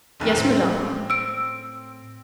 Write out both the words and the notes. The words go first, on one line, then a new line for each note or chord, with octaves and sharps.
"Yes, madame."
F1 A#1 D#2
A2 C4
E6 D7